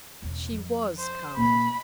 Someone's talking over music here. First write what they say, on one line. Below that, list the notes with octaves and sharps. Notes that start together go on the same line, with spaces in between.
She WAS CARMEN.
E1 C#3
F2
C5
A#2 C#4 B5